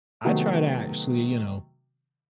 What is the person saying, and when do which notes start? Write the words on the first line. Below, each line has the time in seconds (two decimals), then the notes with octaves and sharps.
I try to actually, you know,
0.25 C3 D#3 F#3 A3 B3